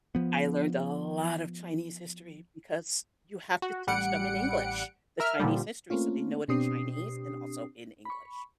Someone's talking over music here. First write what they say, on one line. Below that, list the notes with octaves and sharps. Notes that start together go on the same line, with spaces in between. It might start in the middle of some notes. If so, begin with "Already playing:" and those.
I learned a lot of Chinese history because you have to teach them in English. The Chinese history, so they know it in Chinese and also in English.
F3 B3
F#4
A1 G3 F#5 C#7 D7
A#4 E5 F6
A#2 D3 F3 G3
A3 A#3 C4 C#4 F4
B2 C4 D4 G4 D#6 C7
B5 C#6